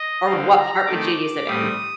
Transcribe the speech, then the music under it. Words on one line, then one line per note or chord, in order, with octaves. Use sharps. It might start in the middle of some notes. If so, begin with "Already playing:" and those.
Or what part would you use it in?
Already playing: D#5
D3 G3 C4 F5
A#5
D#3 A3 C4 D6
A2 G3 C4 D#6